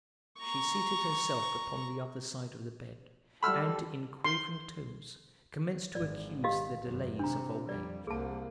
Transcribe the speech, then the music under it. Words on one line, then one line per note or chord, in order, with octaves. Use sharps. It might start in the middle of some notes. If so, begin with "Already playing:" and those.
She seated herself upon the other side of the bed and in quavering tones commenced to accuse the delays of old age.
A#5 C#6
G3 A4 B5 E6 F6
C6
G#1 D5
G4 D#5 F5
G#1 F#2
C3 D4 A#5
F2 G3 D5
C2 A#3 G#4 A5